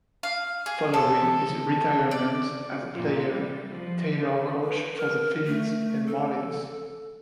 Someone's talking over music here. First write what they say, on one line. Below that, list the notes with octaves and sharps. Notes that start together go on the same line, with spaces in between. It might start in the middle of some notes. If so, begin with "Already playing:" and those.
Following his retirement as a player, Taylor coached for the Phillies and Marlins.
F5
G#4
A4
D5
A#2
G3
F3
D3
B4
A#4
A3
A4